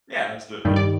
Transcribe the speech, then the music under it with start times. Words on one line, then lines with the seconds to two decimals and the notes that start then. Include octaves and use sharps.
Yeah, absolutely.
0.65 G2 D#3 G3
0.76 D5